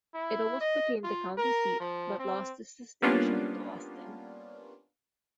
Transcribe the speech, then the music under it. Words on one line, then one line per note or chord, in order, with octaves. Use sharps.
It almost became the county seat but lost this distinction to Austin.
E4
D#5
F4
A#4
F3
C4
G3 A#3 B3 C#4 D4 F4